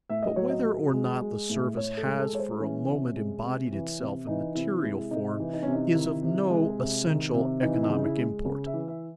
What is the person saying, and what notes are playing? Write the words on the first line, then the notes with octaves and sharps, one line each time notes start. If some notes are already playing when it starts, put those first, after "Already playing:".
But whether or not the service has for a moment embodied itself in material form is of no essential economic import.
A2 E5
D#5
F#3 C#5
D#5
F#3
G#3
G#3
A2
A2 C#5
A4
G#3
A4
G#3 C#5
C5
E3 C#4
C3
G#3
C3
E3
C3
E3 D#4
C3 E4
G#3 E4
C3 D#4
E3
D#4
C3 C#4
D#4
D#3 E4
C3
G#3
C3
D#3
C3
E3 D#4
E4
D#4
C#3
E4
G#3
C#3
E5
E3
E5